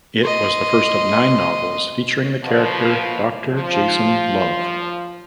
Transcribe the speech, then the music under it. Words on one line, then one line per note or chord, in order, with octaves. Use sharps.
It was the first of nine novels featuring the character Doctor Jason Love.
D#5 C6
B2 F3
F3